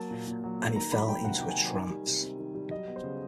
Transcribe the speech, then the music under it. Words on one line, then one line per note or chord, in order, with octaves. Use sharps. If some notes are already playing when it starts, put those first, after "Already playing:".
And he fell into a trance.
Already playing: F#3 A#3 A5
A#2
A#2
F#3
A#3
D#3 A#5
F#3 B5
C3 G5
C3 F#5
D#3 G5
G#5
F#3
D#3
G3
C3
C4
D#3
G3
F#3 D#5
B3
C5
C#3